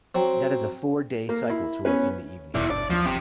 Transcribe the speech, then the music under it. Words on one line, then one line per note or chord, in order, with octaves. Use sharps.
That is a four-day cycle tour in the evenings.
F#3 C4
A#3
E4
B3 C#4 B4
D#1 E2 B2 E4 D5
G1 D4 D5
D#2 F3 A3 D4
F#1 F#2 F3 C4 G4